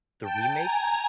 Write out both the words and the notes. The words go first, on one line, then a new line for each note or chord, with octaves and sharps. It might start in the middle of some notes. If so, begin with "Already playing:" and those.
the remake
G5 A5
G#5 A#5